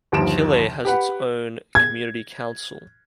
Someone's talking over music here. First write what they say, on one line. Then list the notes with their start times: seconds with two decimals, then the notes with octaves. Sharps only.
Killay has its own community council.
0.12 G1 D#2 F3 D7 E7
0.85 G4 B4 F#5
1.75 G#6